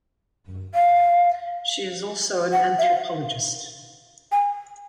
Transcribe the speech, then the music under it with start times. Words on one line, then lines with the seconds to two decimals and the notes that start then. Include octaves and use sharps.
She is also an anthropologist.
0.75 F5
2.53 F#5
2.79 E5
2.83 F5
4.32 G#5